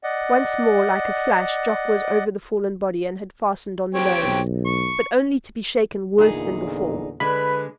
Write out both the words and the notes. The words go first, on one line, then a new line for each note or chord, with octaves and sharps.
Once more like a flash Jock was over the fallen body and had fastened on the nose--but only to be shaken worse than before.
D5 D#5 F#5
C4 G4 C#5
B1
C#6
E2 A#2 D3 D#4 G#4
D3 G#3 B4 B5